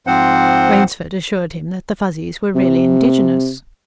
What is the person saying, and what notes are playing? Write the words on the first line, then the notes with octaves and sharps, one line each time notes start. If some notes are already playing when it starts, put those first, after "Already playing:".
Rainsford assured him that the Fuzzies were really indigenous.
G#2 F3 C4 C5 F#5
C3